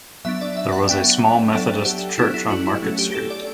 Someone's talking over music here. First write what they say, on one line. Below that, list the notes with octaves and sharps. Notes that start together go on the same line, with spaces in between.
There was a small Methodist church on Market Street.
F#3 B3 D4 E5
D5
E5
F#5
F#3 B3 D4 G5
F#3 B3 D4 A4
G4
F#3 B3 D4 E4
E4
F#4
E4
F#3 A3 C#4
G4
G4
A4
D5